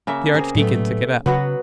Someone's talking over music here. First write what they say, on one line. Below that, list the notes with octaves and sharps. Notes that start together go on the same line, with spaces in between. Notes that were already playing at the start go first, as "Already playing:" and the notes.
The Archdeacon took it up.
C#3 A#3 E5
A#3 C4 G#4
A2 F#3 G3 A3 B3
C#3 F#3 B3 F#4 B4